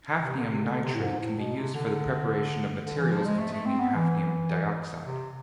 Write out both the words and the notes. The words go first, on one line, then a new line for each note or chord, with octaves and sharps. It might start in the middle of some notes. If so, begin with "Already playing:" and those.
Hafnium nitrate can be used for the preparation of materials containing hafnium dioxide.
C3
D3
C3
D3
C3
A2
G#2
A2
B2
C3
D3
D3
E3
F3
G#3
A3
A3
C4
B3
E3
C3